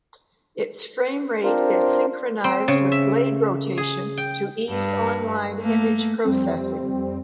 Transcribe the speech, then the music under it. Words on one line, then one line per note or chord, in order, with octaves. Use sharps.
Its frame rate is synchronized with blade rotation to ease online image processing.
C4 D4 F4 A#4 C5
C4
C#3
E5
G#4
G5
G2
A3 A#3
F2 G3 C4